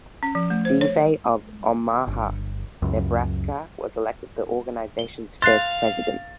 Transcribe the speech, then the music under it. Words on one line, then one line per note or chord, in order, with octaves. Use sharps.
Seavey of Omaha, Nebraska, was elected the organization's first president.
C#4
F3
A3
C5
C#5
G1
C#2 F#2
G7
F5 C6 F#6 A6 C7